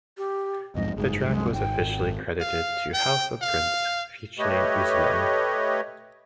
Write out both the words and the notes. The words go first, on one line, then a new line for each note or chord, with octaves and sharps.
The track was officially credited to House Of Prince featuring Oezlem.
G4
B1 F2 G#2 D#5
F#1 G#2 G#4
C2 F#2 G#3
G#1 G5
F5
G5
F5
A3 G4 B4 C#5 D#5